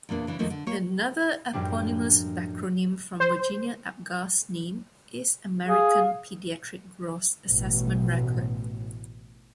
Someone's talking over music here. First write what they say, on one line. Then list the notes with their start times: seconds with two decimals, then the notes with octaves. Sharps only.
Another eponymous backronym from Virginia Apgar's name is American Pediatric Gross Assessment Record.
0.09 E2 A#2 A#3 D4
0.27 C#3 E3 D4
0.39 E2 D#3 F3 A3 A#3 D#4
0.50 D3
0.67 A#3 C#5
1.53 F#2 A2 F3 G3 D4
3.20 C5
5.68 G#4 F5
7.45 A1 B2